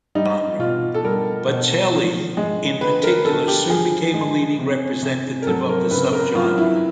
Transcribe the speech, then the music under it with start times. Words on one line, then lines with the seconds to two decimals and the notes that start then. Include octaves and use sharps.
Bocelli, in particular, soon became a leading representative of the subgenre.
0.15 G3 D#4
0.59 B2 F4
0.94 A4
1.04 G3 A#4
1.48 B2
1.92 F3
2.37 G#3
2.81 D3 B4
3.03 A#4
3.25 D3 A4
3.48 G4
3.70 F3 G#4
4.14 G#3
4.59 C3
5.03 C3
5.42 A#4
5.47 F#3 A4
5.69 A#4
5.91 C#3 B4
6.13 A#4
6.35 F#3 F4
6.58 E4